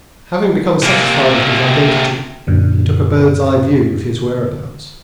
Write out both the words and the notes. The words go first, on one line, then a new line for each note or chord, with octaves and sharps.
Having become satisfied of his identity, he took a bird's eye view of his whereabouts.
C3 A#3
F#2 A#2 D3